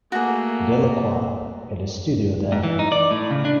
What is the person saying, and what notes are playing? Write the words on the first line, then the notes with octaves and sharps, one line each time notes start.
Delacroix had a studio there.
A3 A#3 F#4 G#4
G#2
E3
D#4
D5
A2
C#3
D4